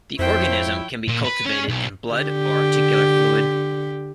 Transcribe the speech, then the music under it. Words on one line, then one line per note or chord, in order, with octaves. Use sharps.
The organism can be cultivated in blood or articular fluid.
F2 F3 E4 C5 C#5 G5
A#2
B4
C#4
B1
D3 G4